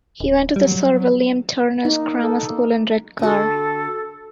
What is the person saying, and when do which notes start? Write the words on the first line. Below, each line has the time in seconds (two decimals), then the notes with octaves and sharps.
He went to the Sir William Turner's Grammar School in Redcar.
0.20 D1
0.56 F#3 G3
1.85 A#3 D#4
2.23 A4
2.50 A#3
3.19 D3 F#4 A4